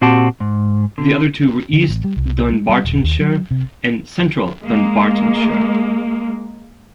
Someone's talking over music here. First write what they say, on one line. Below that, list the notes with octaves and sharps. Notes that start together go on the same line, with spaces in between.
The other two were East Dunbartonshire and Central Dunbartonshire.
A#2 C4 F#4 G4 A5
G#2
D3
D3
A1
G3
C2
G#3
G3
D#1
D#2
F#3
C3
G#3 A#3